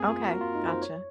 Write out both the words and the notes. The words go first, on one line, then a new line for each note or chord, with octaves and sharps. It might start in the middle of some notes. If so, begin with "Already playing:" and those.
Okay, gotcha.
Already playing: A#3 C4 G#4
F4
F#4 A#4
F4
D#4
C5
C#5